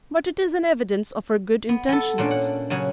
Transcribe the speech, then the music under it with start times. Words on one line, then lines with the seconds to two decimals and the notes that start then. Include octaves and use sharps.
But it is an evidence of her good intentions.
1.69 B3
1.89 B3 A4
2.18 A#2 A#3 C#4 D4
2.31 F#5
2.70 C#3 F#3 F#5 G#5